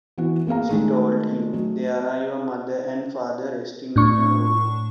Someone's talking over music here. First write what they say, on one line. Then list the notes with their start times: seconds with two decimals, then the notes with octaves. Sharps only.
She told him: 'There are your mother and father resting in your room.
0.18 E3 B3 F#4
0.47 A#3 B3 G#4 F5 A#5
0.69 D#3 G#3 A3
1.53 F#3 A3
3.96 A2 D4 C#6